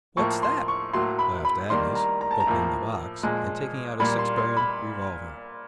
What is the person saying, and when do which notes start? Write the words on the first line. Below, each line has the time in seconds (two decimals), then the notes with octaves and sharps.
"What's that?" laughed Agnes, opening the box and taking out a six-barrelled revolver.
0.17 A2 F3 A#3 C#6
0.43 C6
0.68 C#6
0.93 A2 F#3 A#3 C6
1.19 B5
1.45 B5
1.70 D#3 G3 A#3 C6
1.95 A#5
2.21 A#5
2.31 A5
2.40 A#5
2.47 A2 F3 A#3
3.23 A#2 F3 G#3
4.00 A#2 G3 A#3 B5
4.19 C6
4.38 C6
4.57 B5